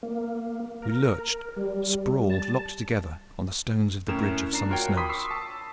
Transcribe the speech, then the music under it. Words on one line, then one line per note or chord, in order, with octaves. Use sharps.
We lurched, sprawled, locked together, on the stones of the Bridge of Summer Snows.
A#3
A#4
G3
A5
A2 C#4 A#4 E7
D4 A#5 C7
F4 F#4 A#4 C#5 G5
B5 C6 D6 D#6 B6
C#6 E6 C7
A5